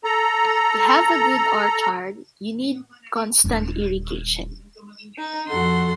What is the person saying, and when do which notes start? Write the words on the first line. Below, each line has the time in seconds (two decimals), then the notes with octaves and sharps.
To have a good orchard, you need constant irrigation.
0.04 A4 A#5
3.44 D#1 D4
5.18 D#4
5.48 F2 F3 F#4 A4 F#5 C6